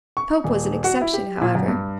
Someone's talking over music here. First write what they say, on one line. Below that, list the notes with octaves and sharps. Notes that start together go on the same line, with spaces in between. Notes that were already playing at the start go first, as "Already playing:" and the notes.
Pope was an exception, however.
C#6
D#1
F#4
E4
G4
A#2
F#2
G2